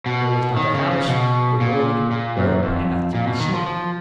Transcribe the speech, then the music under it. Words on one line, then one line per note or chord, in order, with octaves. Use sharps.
There was not a house, a road, or a path to be seen.
B2
D#3
C#3
C#3
B2
A#2
A#2
F#2
F2
A#2
B2
D#3
F3
F3